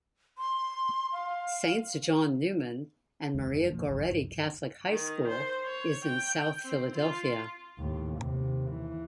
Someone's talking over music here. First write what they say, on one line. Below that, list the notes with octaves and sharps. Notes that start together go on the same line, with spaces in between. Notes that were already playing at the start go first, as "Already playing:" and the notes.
Saints John Neumann and Maria Goretti Catholic High School is in South Philadelphia.
C6
F5
F1 E2 D#3 G#3
F#2 C#3 E3
B2 F3 A#3
G1 C#2 F#2 C#3
C2 G2
D#3
C5
C#5
G5
C4
F4
D#2 A2
D#2 C3
E3